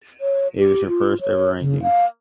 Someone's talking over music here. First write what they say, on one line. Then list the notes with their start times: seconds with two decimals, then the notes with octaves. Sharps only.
It was her first ever ranking.
0.21 C#5
0.58 G4
0.88 F4
1.21 C#5
1.61 C#3
1.83 F5